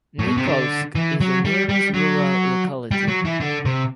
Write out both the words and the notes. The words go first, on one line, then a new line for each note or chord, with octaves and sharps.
Nikolsk is the nearest rural locality.
A2
B2
C3
D3
E3
F#3
G3
G3
F#3
G3
F#3
E3
D3
C3